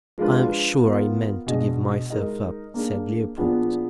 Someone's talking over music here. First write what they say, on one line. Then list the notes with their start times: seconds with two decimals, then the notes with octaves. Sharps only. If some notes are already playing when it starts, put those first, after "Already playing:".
"I am sure I meant to give myself up," said Leopold.
0.18 F3 G#3 D4 F4 B4
0.82 B3 F4 A#4
1.46 B2 G#3 D4 G#4 D#5
2.10 G#3 D#4 A#4 D#5
2.74 A#3 D4 G#4
3.38 A#2 F3 B3 D4 G#4